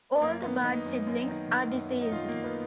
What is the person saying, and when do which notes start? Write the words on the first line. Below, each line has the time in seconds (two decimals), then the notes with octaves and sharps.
All the Bard siblings are deceased.
0.15 B3
0.22 F#2 A#3
0.43 D#3 B3
0.64 D#3 D#4
0.86 F#2
1.07 F#2
1.28 D#3
1.49 D#3
1.71 F#2
1.91 F#2
2.01 D#4
2.12 D#3 F4
2.28 A#3
2.34 D#3
2.44 B3